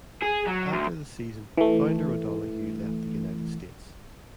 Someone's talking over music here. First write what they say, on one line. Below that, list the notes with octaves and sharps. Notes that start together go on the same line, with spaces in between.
After the season founder O'Donoghue left the United States.
G#4
F#3
D2
E3 A3